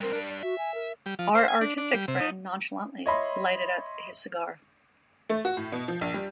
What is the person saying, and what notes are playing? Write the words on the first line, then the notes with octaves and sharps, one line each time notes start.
Our artistic friend nonchalantly lighted up his cigar.
G2 C4 A#4
G3 D4
D5
F#4 E5
G#5
A#4
G3
F3
C5
G#5
D4
D4
G3
C3
D#4
C#5 D#5 E5 B5 C6
A3
F#4
A2
B2
F3
A#1
G3